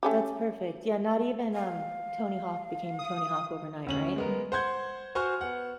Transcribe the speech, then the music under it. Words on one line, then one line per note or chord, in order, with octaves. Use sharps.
That's perfect, yeah, not even, um, Tony Hawk became Tony Hawk overnight, right? Mm.
A3 C#4 G4
F5
D#6
D2 C#4 F#7
G#3 B3 A#4
C5 F#5 C6 G6 G#6
F#4 C5 G#5 C6 C#6 F6
B3 F#5